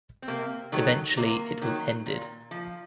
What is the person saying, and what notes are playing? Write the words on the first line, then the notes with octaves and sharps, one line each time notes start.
Eventually it was ended.
C4
C3 A#3
D#3 F#3 A3
C3 A#3
D#3 F#3
A#2
F3